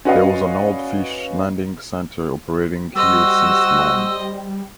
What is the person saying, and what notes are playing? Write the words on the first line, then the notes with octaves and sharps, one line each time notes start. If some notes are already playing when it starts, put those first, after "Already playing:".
There was an old Fish landing centre operating here since long.
C#4 F#4 B4 D5 D#5 F5
G3 F#4 C5 D#5 E6